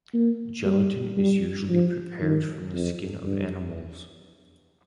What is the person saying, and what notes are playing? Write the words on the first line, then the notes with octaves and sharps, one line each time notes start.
Gelatin is usually prepared from the skin of animals.
A#3
G3
G3
F3
D#3
F2
G2